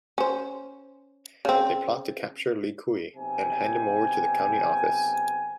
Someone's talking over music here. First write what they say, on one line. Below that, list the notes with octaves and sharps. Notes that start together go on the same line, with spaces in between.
They plot to capture Li Kui and hand him over to the county office.
C#4 C5
C#3 C4
B1 C3 G5 G#5